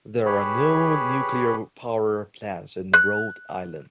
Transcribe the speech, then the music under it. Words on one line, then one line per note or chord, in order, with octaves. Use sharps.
There are no nuclear power plants in Rhode Island.
G4 G#4 B4 C#5
F#6